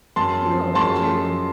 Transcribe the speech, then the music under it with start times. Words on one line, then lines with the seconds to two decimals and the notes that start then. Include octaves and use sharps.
You will, won't you?
0.16 F#2 A5 C6
0.46 F3
0.75 F#2 A5 C6
1.06 F3